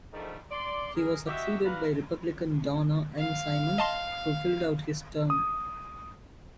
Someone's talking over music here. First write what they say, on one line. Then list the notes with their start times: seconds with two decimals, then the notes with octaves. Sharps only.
He was succeeded by Republican Donna M. Simon, who filled out his term.
0.13 G#2 D3 D#3 F3 G3 A3
0.51 D5 C6
0.96 G#4 A#4
1.27 F#4 G4 D#5 E5
1.65 G3 F#4 B4 F5 A#5
3.18 F5
3.78 D#5 A5 C6
5.30 D#6